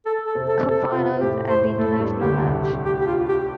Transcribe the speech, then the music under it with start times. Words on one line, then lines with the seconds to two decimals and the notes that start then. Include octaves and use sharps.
Cup Finals and international match.
0.06 A4
0.27 A4
0.35 C3 C4
0.49 A4
0.63 C3 C4
0.71 A4
0.92 C3 C4 F4
1.21 A2 A3 G4
1.49 A2 A3 C5
1.78 A2 A3 A4
1.99 G2 G3
2.21 D2 D3 G4
2.43 C2 C3
2.64 G4
2.85 G4
3.02 G4
3.07 F4
3.29 G4